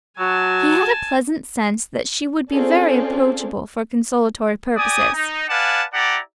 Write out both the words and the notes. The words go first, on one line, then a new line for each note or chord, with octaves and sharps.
He had a pleasant sense that she would be very approachable for consolatory purposes.
F#3 F#4 G#5 A5
C4 C#4 F4 G#4 A4 D5
G4 D5 G#5 D#6
D#4
B4 D5 F5 F#5 G#5 A5
E4 G4 D5 F#5 A5 A#5